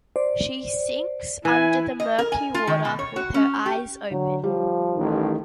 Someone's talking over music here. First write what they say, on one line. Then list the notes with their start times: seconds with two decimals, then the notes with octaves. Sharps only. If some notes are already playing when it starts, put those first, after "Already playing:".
She sinks under the murky water with her eyes open.
0.16 C5 D5
1.45 E3 E4 G#5
2.00 D#5
2.19 A#4
2.32 G#5
2.54 F4
2.67 D#3
2.85 B2
2.99 C#5
3.16 F#4
3.34 C#4
3.66 G4
4.11 D3 F#3
4.44 F3 G3
4.96 A1 D#3